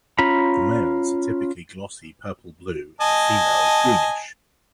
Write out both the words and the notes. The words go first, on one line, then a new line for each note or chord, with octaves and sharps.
The males are typically glossy purple-blue and the females greenish.
C#4 F4 A#5 B5
D#5 G#5 A5